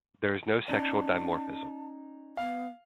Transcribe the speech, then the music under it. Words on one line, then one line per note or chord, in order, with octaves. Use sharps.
There is no sexual dimorphism.
C#4 D#4 D5 A5
B3 F5